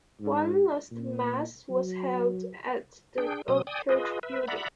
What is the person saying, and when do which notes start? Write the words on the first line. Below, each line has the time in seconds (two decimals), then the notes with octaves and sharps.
One last Mass was held at the old church building.
0.20 G#2
0.91 A#2
1.70 F#3
3.18 D4 G#4 G5
3.48 B2 F#3 D#6
3.67 D5 G5 G#5 D#6
3.89 F4 G#4 B4 D#5
4.23 B4 E5
4.48 D5 E5 F#5 A#5 B5